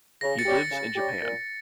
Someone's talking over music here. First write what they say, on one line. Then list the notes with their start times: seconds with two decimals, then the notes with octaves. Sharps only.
He lives in Japan.
0.21 C#3 A#6
0.39 A6 C#7
0.46 G3 C#4 G4
0.55 A#6
0.71 C#3
0.96 G3 C#4 G4
1.22 A#2